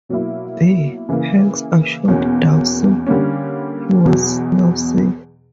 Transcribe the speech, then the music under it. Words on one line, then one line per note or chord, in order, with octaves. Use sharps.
There, Hanks assured Dawson he was now safe.
B2 F#3 A#3 E4
C#3 E3 A#3
E2 B2 A#3 C#4
D3 G3 A#3 C#4
E2 B2 F#3